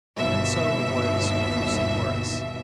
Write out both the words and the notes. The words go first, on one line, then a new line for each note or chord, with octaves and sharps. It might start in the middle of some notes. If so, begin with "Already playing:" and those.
And so it was with Lucy Morris.
G1 D#2 B2 E5